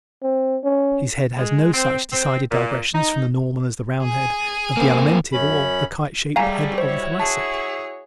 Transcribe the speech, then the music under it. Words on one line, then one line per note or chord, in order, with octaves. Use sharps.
His head has no such decided digressions from the normal as the round head of the Alimentive or the kite-shaped head of the Thoracic.
C4
C#4
G#3
C4
C4
A#2
D#4
G#4 G#5
A#3 C4
F#2 C#4 B5
F#3 G3 A3 G#4 F5 G#5 A#5
E4 F#4 C5 C#5
G#4 A5